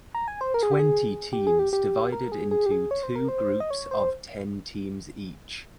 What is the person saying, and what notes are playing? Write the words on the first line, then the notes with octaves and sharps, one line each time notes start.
Twenty teams divided into two groups of ten teams each.
A#5
G#5
C5
A#4
G#4
G4
G#4
G4
G#4
G4
G4
A#4
G#4
G#4
G4
G#4
C#5
C5
A#4
C5
D#5
C#5
C5